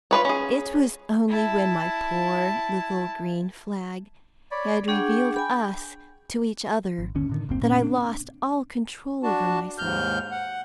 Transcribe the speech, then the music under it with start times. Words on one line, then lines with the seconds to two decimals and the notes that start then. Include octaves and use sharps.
It was only when my poor little green flag had revealed us to each other that I lost all control over myself.
0.11 F4 G#4 B4 C#5
0.25 C#4 G#4
1.29 E4 A5
4.51 C#5 D5 B5
4.88 D4 G#4 F#5 G5 C#6
5.36 G5 G#5 B5
6.98 G#1
7.15 G1 D#2 D3 C#4
7.29 A2 D3 D#3
7.49 F#1 D2 A#3 C4
7.62 A#2 A#3 C#4
7.81 C4 D4
9.23 D4 F#4 A5
9.78 D#2 G#2 F6 G6
10.32 F#5